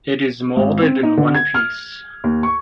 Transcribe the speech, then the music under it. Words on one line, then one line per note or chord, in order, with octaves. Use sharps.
It is molded in one piece.
G#1
C4
D#4
D3
G#6
F6
D#2
C#6